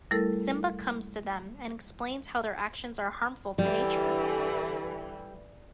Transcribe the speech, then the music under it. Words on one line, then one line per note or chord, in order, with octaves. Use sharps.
Simba comes to them and explains how their actions are harmful to nature.
G3 A3 E4 A4 A#4
D3 E3 G3